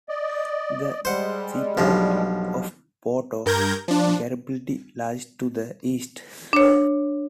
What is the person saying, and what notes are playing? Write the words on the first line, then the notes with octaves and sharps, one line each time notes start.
The seaport of Porto Garibaldi lies to the east.
D5 D#5
G3 G#3 C5 F#5
B1 G2 F3
G2 A#4 G6 G#6 A#6
F3 D4
D4 C#5